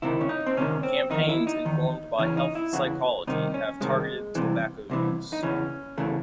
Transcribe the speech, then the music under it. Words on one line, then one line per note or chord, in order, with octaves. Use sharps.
Campaigns informed by health psychology have targeted tobacco use.
C#2 C3 D#3 E4
C#4
D#4
C4
C#2 C3 D#3 C#4
C4
E2 D#3 D#4
E4
D#4
E2 D#3
E2 C#3 E3 C#4
D#4
E4
E2 C#3 E3 F#4
C2 C3 D#3 D#4
C#4
C2 C3 D#3 G#3
C2 C3 E3
C2 C3 E3
D#4
E2 C#3 E3 C#4
E2 C#3 E3 A3